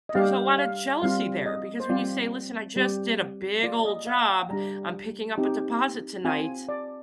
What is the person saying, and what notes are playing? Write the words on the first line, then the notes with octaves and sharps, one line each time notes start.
there's a lotta jealousy there, because when you say, "Listen, I just did a big old job. I'm picking up a deposit tonight."
D#5
G3 D4 G4 F5
F5
G3 C4 F4 F5
D#5
C5
G3 C4 F4 D5
G3 C4 G4
A#3 F4 D5
D#5
F5
G5
G3 D4 G4 A#5
C4 D#4 G4
C4 F4 G#5
D5